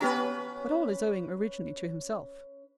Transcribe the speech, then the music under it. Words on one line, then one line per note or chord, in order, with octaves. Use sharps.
But all is owing originally to himself.
B3 C#4 G4 B4 A#5